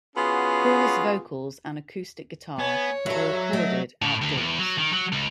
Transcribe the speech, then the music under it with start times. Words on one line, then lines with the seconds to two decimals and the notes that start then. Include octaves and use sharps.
Paul's vocals and acoustic guitar were recorded outdoors.
0.16 B3 C#4 F4 F#4 G#4
2.59 B3 C#5 G#5
3.06 G2 F#3 A4 E5
3.53 A3 D#4 A#4
4.02 A2
4.22 D2
4.37 E2
4.58 F#3
4.78 D#3
4.93 F#3
5.12 C#2